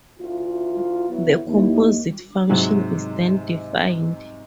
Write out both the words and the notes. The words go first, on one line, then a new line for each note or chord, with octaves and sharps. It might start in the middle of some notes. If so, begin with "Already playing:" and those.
The composite function is then defined.
D2 E4 F4
F#3 B3 E4
D#2 E4
G#2 C3 F#3 G#3